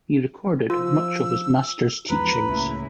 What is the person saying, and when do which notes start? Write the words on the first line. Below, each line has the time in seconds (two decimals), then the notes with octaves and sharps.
He recorded much of his master's teachings.
0.70 F3 F4 E6
2.10 E2 G#2 F3 B4 A#5
2.48 C#2 A2 C#3 A#3 E4